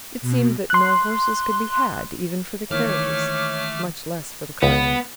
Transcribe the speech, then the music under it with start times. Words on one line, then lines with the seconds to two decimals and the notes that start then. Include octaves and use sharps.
It seemed that no horses could be had even for the carriages, much less for the carting.
0.22 B2
0.70 C6 F#6
2.70 D#3 E3 A3 A#3 C#5 D6 F6
4.63 C#2 B3